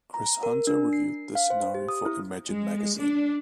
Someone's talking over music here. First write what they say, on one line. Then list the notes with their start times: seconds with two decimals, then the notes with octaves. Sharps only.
Chris Hunter reviewed the scenario for "Imagine" magazine.
0.14 A#5
0.43 A#4
0.67 D4
0.93 C7
1.35 F5
1.50 C5
1.75 G4
1.89 D#6
2.05 E4
2.45 G#3
2.96 D4